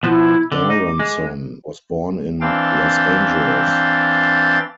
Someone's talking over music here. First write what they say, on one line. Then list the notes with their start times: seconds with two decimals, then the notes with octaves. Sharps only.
Aaronson was born in Los Angeles.
0.03 B2 F3 B3 E4
0.52 D3 D6
0.70 D#4
0.99 G#3
2.41 E3 C4 D4 F5 G5 A6